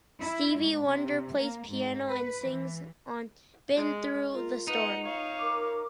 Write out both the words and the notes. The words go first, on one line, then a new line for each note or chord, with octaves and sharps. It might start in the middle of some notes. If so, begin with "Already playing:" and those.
Stevie Wonder plays piano and sings on "Been Through the Storm".
E4
G#2
C3
A#3
G#2
B4
E3
G#3
F4 A#4
D#4 B4 F#5
C#5 F5
A#4 D6